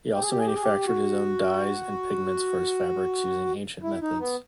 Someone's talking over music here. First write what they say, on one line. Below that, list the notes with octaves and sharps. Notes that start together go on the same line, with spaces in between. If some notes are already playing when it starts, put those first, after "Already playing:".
He also manufactured his own dyes and pigments for his fabrics using ancient methods.
G4
G#4
G4
G#4
G4
G#4
G4
F#4
E4
D#4
B3